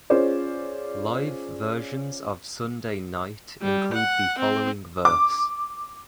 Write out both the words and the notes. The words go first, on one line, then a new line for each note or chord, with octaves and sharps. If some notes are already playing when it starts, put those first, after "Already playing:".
Live versions of Sunday night include the following verse.
C#4 F4 G#4 C5 D5
G3
F#5
C4
D6